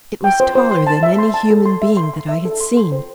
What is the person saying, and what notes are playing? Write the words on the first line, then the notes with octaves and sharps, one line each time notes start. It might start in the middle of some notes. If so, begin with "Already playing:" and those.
It was taller than any human being that I had seen.
G5
C5
C5
C6
A5
E5
C6
A5
A4
C6
E5
C6
C6
E5
A4
C6
C6
C5